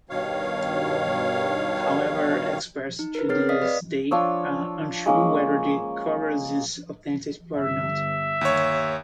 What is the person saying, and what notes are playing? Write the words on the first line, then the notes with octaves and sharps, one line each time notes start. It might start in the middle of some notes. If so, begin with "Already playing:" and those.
However, experts to this day are unsure whether the kouros is authentic or not.
G2 B2 D#3 C#5 F5
D#4
A#4 B4
C4 G#4 C#5 F6 A6 C7
D5 D#5 F5 D#6 B6
B4 D5
F3 D4 C#5 E6
G#3 A#3 C#4
G1 E5
D#2 C#5